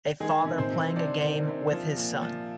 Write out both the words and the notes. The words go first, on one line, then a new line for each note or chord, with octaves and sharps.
A father playing a game with his son.
D#3 G#3 G#4
C3
C4 C5
C3
C3 D4 D5
D#3
C3
F3
A#2
F3